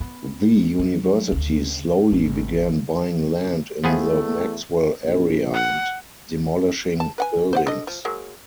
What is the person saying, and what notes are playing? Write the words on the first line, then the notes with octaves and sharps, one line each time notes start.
The university slowly began buying land in the Maxwell area and demolishing buildings.
B3
F#3
D2 C#3
G#1
E2 F3 A3 B3 G#4
A#1
F#5
A5
B4 F#5 G#5
C5 D5 F#5
D3 D#5
F3
F#3 G#3 A#3